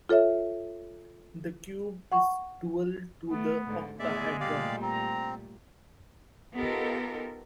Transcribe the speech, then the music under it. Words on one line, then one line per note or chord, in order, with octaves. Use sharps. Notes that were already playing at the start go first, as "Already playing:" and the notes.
The cube is dual to the octahedron.
F4 A4 C#5 E5
F#5 C#6
A3 B3
G#2 D3
E2 A2 G#3 B3 G#4 D5 E5
A#2 G3 A3 G4 D5 F5
C4 A#5
B3 D#4 F4 G4 A4 A#4